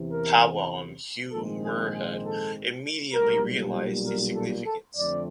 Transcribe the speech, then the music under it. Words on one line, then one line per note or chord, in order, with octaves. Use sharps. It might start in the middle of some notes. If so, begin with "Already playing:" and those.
Powell and Hugh Muirhead immediately realised the significance.
Already playing: E2 C3 E3
A#4
A#1 G#2 D#3 G#3 C4 A4
G#4
G#4
A4
B1 A#2 G3 A#4
A#4
A4
A4
F2 D3 F3 A3 C4 D5